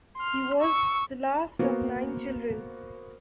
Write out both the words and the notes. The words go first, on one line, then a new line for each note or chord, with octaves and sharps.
He was the last of nine children.
C6 F6
C#6 E6
A#3 B3 F#4 C5